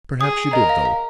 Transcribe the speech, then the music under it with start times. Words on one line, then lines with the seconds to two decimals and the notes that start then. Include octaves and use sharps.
Perhaps you did, though.'
0.21 G#4 D#6
0.53 A#4 D#5
0.69 F5
0.85 F5